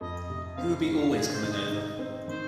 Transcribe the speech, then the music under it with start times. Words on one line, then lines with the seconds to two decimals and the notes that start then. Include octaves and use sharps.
He would be always coming over.
0.01 F2 D#5
0.30 C3
0.57 C4 F5
0.86 D#3
1.14 C3 G#4
1.33 C5
1.43 D#3
1.52 D#5
1.71 D#4
1.99 C4
2.28 D#3 C5